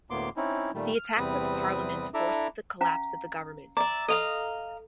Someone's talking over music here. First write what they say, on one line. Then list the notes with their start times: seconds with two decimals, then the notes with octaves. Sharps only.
The attacks at the Parliament forced the collapse of the government.
0.10 D2 A2 A#3 B3 C6 D6
0.37 C4 C#4 D#4 E4
0.74 A#2 D#3 G3 A3
0.95 F6
1.17 E2 C3 G3 C4 B4 D#6
2.14 D4 E4 A4 E5 A#5 D6
2.81 C#4 F5 A#5
3.77 D5 E5 A#5
4.08 A4 D#5 F5 A#5